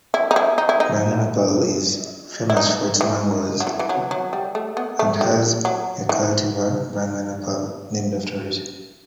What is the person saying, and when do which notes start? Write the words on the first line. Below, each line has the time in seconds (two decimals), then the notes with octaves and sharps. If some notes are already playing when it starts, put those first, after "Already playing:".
Banganapalle is famous for its mangoes and has a cultivar, "Banganapalle", named after it.
0.14 E4
0.31 D#4
0.36 E4
0.58 D#4
0.69 E4
0.80 D#4
2.50 E4
2.57 D#4
3.01 E3
3.61 F#3
3.67 E3
3.79 E3
3.89 F#3
4.11 F#3
4.33 G3
4.55 A3
4.77 B3
4.99 A3
5.21 G3
5.65 F#3
6.09 E3